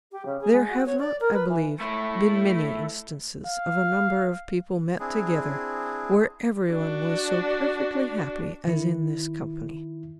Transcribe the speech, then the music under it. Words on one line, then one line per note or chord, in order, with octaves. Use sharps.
There have not, I believe, been many instances of a number of people met together, where every one was so perfectly happy as in this company.
G4
C#3
G#4
G#3
F#4
C#5
D5
A#4
B4
E3
A3 E4
F5
C4 D4 E4 G#4
D4 F#4
D#3 E4